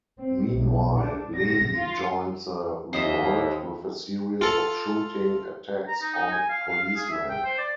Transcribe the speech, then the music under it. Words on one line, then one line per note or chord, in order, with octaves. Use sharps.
Meanwhile, Lehi joined the revolt with a series of shooting attacks on policemen.
C4
B1
D4
A#6
F4
D#2 C5 D#5 E5
F4 A4
A#5
D#4
D#4
G#5
F5
F5
F5
G#4
E5
G5
C5
D5